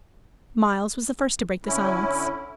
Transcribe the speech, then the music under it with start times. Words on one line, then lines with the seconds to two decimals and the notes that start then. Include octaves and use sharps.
Myles was the first to break the silence.
1.65 D3 C#4 E4